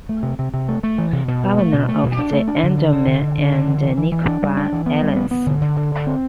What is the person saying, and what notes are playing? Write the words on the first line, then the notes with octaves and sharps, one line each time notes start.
Governor of the Andaman and Nicobar Islands.
A3
C3
C3
C3
A3
A3
E3
C3
B2
B2
A3
B2
A3
B2
D4
A3
D4
D3
D3
D3
D3
D3
D3
D3
E3
E3
E3
E3
D4
G3
D4
E3
B3
G3
B3
B3
D3
D3
D3
D3
C4